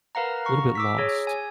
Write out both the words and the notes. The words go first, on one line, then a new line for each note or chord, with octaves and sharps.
little bit lost
A#4 B4 F5 F#5 A#5
A#5 C#6
D6 E6 B6
G#4 C#5
G#5